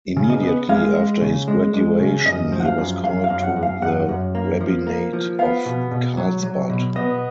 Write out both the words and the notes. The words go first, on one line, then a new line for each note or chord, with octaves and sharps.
Immediately after his graduation he was called to the rabbinate of Carlsbad.
C#3
D#5
B3
G#3 F5
G#3
C#3
G#3
G#3
C#3
F#2 D#5
F3
F#5
F5
F#2
F#2 F5
F5
F#2
F#5
F#2
F5
F#2 F#5
F#2
A#3
F3
A#3
F3
B3 F5
B2
B2
F#3
F#3
B2
B3 D#5